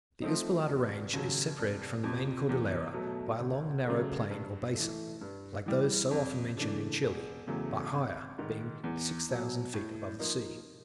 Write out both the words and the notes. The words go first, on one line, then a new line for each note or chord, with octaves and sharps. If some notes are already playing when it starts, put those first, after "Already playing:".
The Uspallata range is separated from the main Cordillera by a long narrow plain or basin, like those so often mentioned in Chile, but higher, being six thousand feet above the sea.
F3 A3 C4 D#4
F1
D#2 C#3 F#3
F1
F2 C3 F3
E2
B2 F#3 A3
D2
C#3 F#3 A3
G2
E3 A3
G2
E3 G3
F2
C#3 E3 A3 D4
E1
E2 C#3 F#3 A3
G#1
G#2 D#3
E2
B2 F#3
A2
F3 A#3 D#4